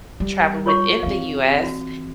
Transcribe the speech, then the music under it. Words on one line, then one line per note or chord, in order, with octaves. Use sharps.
traveled within the US,
G3
F4 C#5 C#6
E3 C4 F5
F#4